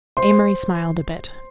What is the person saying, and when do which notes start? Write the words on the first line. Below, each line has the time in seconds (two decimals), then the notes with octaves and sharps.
Amory smiled a bit.
0.17 C5 C6